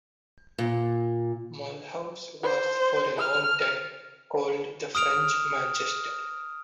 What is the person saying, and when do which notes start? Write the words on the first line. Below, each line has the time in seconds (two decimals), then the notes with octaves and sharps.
Mulhouse was for a long time called the French Manchester.
0.58 A#2
2.43 C5
3.19 F6
4.95 D#6 F6 D7 F7